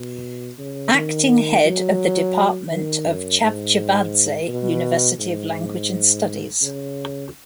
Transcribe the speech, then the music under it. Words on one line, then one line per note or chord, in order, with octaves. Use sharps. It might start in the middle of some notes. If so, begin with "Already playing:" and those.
Acting Head of the Department of Chavchavadze University of Language and Studies.
Already playing: B2
C#3
D#3
F#3
D#3
F#2
G#2
B2
G#2
C#3